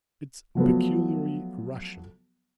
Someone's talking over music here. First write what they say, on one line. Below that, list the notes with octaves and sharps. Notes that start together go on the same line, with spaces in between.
It's peculiarly Russian.
F3 F#3 A3 B3